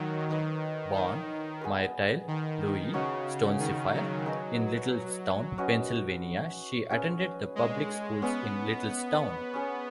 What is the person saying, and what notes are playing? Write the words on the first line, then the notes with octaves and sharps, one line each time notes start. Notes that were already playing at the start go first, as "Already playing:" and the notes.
Born Myrtle Louise Stonesifer in Littlestown, Pennsylvania, she attended the public schools in Littlestown.
Already playing: D#3 F#3 F#4 C#5
D#3 D#4 B4 D#5
D#3
B3 G#4 B4
D#3
C#3 D#4 F#4 C#5
D#3
F#3
D#4 G#4 B4 D#5
C#4 F#4 B4 D#5
C#4 G#4 B4
G#3
B3 C#4 G#4 D#5
C#4 G#4 C#5